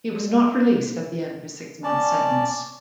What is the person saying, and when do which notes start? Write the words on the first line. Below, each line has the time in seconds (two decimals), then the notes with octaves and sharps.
He was not released at the end of his six month sentence.
1.84 C#4 D5 A5